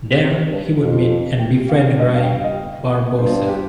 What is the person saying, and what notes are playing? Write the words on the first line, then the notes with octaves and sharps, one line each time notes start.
There, he would meet and befriend Ruy Barbosa.
C3
G2
F2
G5
F5
G2 D#5
F5
G5
F5
D#5
G2 C5
G4